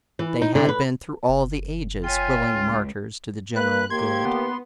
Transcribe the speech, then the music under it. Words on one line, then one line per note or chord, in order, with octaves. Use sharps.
They had been, through all the ages, willing martyrs to the general good.
E3
D#4
D3
B4
F#1
F4 C#5 E5 G5 G#5
C#2
A#3 B4 F#6
D#2 A#3 G4 C6 G#6
B3